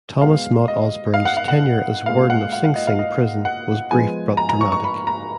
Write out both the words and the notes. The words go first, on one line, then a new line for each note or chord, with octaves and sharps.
Thomas Mott Osborne's tenure as warden of Sing Sing prison was brief but dramatic.
B2 G#3 B3 F5
D#5
F5
F#5
F5
F#5
A#2 G#3 B3 F5
F#5
F5
F5
D#5
F5
D#5
F#5
F3 G#3 B3 G#5
A#5
A#5
C#6
C#6
B5
A#5